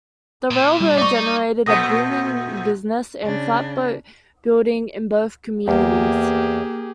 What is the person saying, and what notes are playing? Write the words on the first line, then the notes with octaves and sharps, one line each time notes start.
The railroad generated a booming business in flatboat building in both communities.
A#2
G3
D#4 D5 C#6
A#2 A3 C4 F#5 D#6 A#6
C#3 D4
E2 A#3 G4 G#4